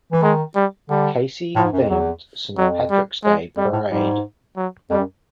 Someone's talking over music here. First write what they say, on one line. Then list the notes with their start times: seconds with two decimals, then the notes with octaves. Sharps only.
Casey themed Saint Patrick's Day Parade.
0.13 E3
0.23 D#3 G#3
0.55 G3
0.90 D3 G3
1.56 A2 F3
1.65 G#2
1.73 F#2
1.81 F2
1.89 E2 F#3
2.56 F2 F#3
2.90 G3
3.24 G#3
3.57 F2 G3
3.73 A2
3.91 G#2 G3
4.57 F#3
4.90 F2 G3
4.99 F#2